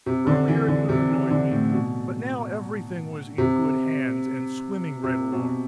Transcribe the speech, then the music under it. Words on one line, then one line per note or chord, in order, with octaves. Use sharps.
Earlier it could have annoyed me, but now everything was in good hands and swimming right along.
C3
D3
E3
D3
C3
E3
D3
A2
B2
C3
C3
B2